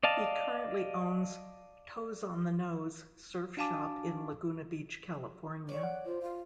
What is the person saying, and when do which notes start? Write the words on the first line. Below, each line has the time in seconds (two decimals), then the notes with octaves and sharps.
He currently owns "Toes on the Nose" surf shop in Laguna Beach, California.
0.03 D5 D#5 F5 A5
3.57 D4 F#4 F5 G#5 A5 D6
5.69 C#5 D5 C#6
5.83 F#5
6.06 F4 C5
6.22 F4 F5